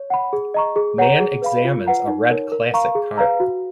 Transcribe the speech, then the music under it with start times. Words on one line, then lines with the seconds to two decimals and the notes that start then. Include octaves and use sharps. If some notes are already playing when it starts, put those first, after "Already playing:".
Man examines a red classic car.
Already playing: C#5
0.10 F#5 B5
0.33 G#4
0.54 D#5 A#5 C#6
0.76 G#4
0.98 C#5 F#5 A#5
1.20 G#4
1.42 B4 F5 B5
1.64 F4
1.86 B4 F#5 A#5
2.07 D#4
2.29 A#4 C#5
2.52 A#4
2.74 F5 A#5 C#6
2.95 G#4
3.18 B4 F5 A#5
3.40 F#4